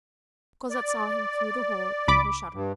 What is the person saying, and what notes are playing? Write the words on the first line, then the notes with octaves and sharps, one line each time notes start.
Cosette saw him through the hole in her shutter.
D5
C#2 B5 D6
G2